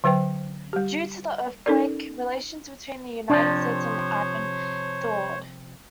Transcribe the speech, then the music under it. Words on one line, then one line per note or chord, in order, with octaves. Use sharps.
Due to the earthquake, relations between the United States and Iran thawed.
D3 F#3 B4 C5 G5
G3 G4
C#4 D#4 A4 A#4 D5
C3 F3 D4 C5 C#5